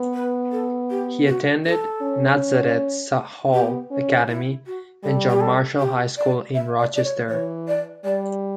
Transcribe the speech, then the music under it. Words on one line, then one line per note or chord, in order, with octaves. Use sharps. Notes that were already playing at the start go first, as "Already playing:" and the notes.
He attended Nazareth Hall Academy and John Marshall High School in Rochester.
Already playing: B3
B4
A4
G4
F#4
A4
C#4
B3 G4
C#4
E4
F#4
G3 A4
G4
A4
G4
D5
E5
D5
D5
C#5
E3 C#5
D5
G3 D5